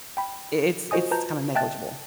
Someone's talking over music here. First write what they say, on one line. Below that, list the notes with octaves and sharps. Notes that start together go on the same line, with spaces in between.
i it's it's kinda negligible.
G5 B5
F4 F#4 C5 D#5 G#5 D#6
F4 B4 A5 A#5 G6
D#5 E5 G5 A5 F#6 A6